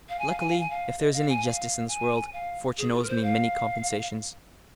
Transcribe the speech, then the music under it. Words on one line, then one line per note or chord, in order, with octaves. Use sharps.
Luckily, if there is any justice in this world, fortune owes me many compensations.
F5
G#5
F5
G#5
F5
G#5
F5
D#5
F5
G#5
F5
G#5
F5
G#4
F4
A#4
C5
F5